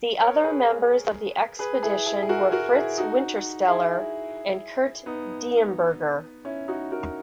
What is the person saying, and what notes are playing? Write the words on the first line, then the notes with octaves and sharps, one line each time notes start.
The other members of the expedition were: Fritz Wintersteller and Kurt Diemberger.
A#4 C#5
G#4 B4
G#4 B4
E4 G#4
E4 G#4
G#4
F#4 A#4
F#4 A#4
E4 G#4
D#4 F#4
E4 G#4
B3 D#4
C#4 E4
D#4 F#4
F#4 A#4